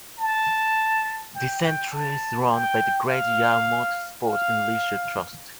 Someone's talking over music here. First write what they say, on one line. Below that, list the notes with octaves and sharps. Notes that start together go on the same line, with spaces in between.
The centre is run by the Great Yarmouth Sport and leisure Trust.
A5
G5
G5
A5
G5
F5
F5